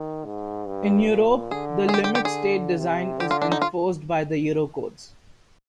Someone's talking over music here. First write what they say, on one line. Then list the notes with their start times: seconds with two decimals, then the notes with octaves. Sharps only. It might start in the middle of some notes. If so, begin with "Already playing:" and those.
In Europe, the Limit State Design is enforced by the Eurocodes.
Already playing: D#3
0.26 G#2
0.67 G2
1.09 A#2
1.51 D3 G#4
1.89 G#4
1.94 D3 G4
2.04 G4
2.15 G4
2.25 G#4
2.78 C3
3.20 D3 G4
3.31 F4
3.42 D4
3.52 D#4
3.62 F4